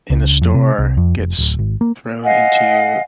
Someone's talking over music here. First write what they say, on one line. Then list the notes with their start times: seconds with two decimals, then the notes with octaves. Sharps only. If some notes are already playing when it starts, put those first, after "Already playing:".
in the store gets thrown into
0.10 C#2
0.42 F2
0.54 C3
0.79 C2
0.97 F2
1.17 F1
1.38 D1
1.59 G#1
1.81 A#3
2.23 D#5 F5 F#5 G#5